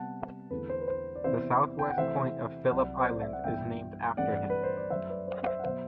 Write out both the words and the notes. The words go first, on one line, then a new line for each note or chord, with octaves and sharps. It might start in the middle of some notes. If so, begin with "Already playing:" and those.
The south-west point of Phillip Island is named after him.
Already playing: C3 G3 B3 F#5 A5
E2 D3 A3 C4 E4 B4
C5
B4
C5
D5
C3 E3 B3 E4 C5 E5
G5
F#5
C3 E3 A3 E4 C5 E5
C2 C3 F#3 D5 F#5
C5
D5
E5
F#5
G2 E3 B3 E4 E5 G5
G2 E3 A3 C4 D5 F#5
B4
C5
D5
F#2 F#3 A3 C5 E5
B4 D5
C5
C5 E5
F#5
B2 F#3 C5 E5